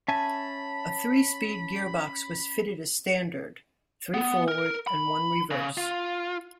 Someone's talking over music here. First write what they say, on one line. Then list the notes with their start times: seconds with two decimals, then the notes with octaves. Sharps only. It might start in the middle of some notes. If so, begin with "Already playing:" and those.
A three speed gearbox was fitted as standard; three forward and one reverse.
0.08 C#4 E5 G#5 A5 B5
4.14 B3
4.48 A#4
4.87 B5
5.51 C#3
5.77 F4